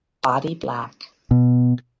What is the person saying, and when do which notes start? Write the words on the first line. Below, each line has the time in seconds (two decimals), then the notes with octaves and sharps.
Body black.
1.31 B2